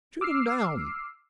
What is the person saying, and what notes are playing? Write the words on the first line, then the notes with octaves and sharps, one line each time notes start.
"Shoot 'em down!"
D6 E6 F6 C7